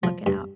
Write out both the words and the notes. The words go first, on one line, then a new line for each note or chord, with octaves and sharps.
looking out.
F3
G2